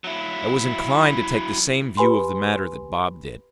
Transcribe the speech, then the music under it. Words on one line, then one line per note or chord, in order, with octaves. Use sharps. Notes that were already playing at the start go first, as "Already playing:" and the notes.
I was inclined to take the same view of the matter that Bob did.
F#3 E4
G4 B4 G#5 B5 C6